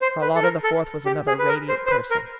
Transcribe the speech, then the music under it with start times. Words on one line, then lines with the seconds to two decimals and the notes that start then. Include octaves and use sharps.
Charlotta the Fourth was another radiant person.
0.01 C5
0.22 B4
0.36 A4
0.43 A#4
0.64 A4
1.06 G4
1.27 G#4
1.39 B4
1.48 A#4
1.69 C5
1.86 C5
1.90 B4
2.11 A#4